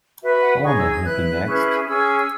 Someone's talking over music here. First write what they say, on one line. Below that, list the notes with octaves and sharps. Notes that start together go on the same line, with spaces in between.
I wonder who'll be next?
F#4 B4 E5
F#5
D#4 G#4 C#5 C#6
E6
G#6
E4 B4 F#6
C#4 E4 G#4 B4
C#4 G#4 C#5 E6